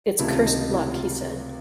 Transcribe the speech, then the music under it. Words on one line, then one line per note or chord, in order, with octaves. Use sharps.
"It's cursed luck," he said.
C#2 C3 D#3 F#3 A3 E4
F4
D#4
D#4
E4
F4